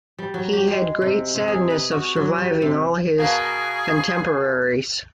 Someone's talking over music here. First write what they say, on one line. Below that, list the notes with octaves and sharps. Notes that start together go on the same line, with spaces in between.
He had the great sadness of surviving all his contemporaries.
G3
F#3
G4
G#3
C3
C3
G#4
B4
F#4
F#3
G3
C3
B2 A#3 G#4